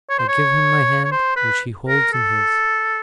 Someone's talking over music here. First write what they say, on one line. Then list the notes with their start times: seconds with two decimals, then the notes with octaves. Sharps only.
I give him my hand, which he holds in his.
0.10 C#5
0.19 C5
0.28 C#5
1.04 C#5
1.11 C5
1.36 B4
1.88 A#4
2.13 A4